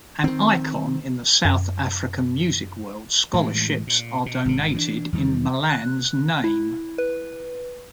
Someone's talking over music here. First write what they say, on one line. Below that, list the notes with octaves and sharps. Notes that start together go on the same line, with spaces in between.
An icon in the South African music world, scholarships are donated in Malan's name.
D#3 C4
F#2
A2 E3 G#3
A#2
B2
G#1 C#3
E3 B3 D4
E2 D#3 G3
F#6
E4
B4